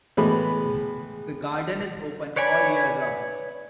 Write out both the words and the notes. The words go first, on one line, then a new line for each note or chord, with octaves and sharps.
The garden is open all year round.
A2 E3 G#3 B3 B5
B4 C#5 D5 G#5 B5